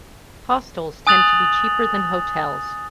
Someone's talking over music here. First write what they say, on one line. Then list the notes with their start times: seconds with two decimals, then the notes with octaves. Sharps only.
Hostels tend to be cheaper than hotels.
1.07 G#5 D#6 F#6 A6 F7 F#7